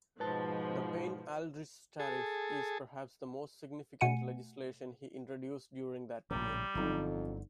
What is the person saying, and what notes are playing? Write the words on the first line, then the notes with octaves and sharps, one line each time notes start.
The Payne-Aldrich Tariff is perhaps the most significant legislation he introduced during that period.
G#2 B2 F3 B4 A5
G#4 A4
B2 A3 F#5 G#5 C#7 D#7
A#1 A2 C#3 G3 A#5
G1 F2 D3 F#3 D#4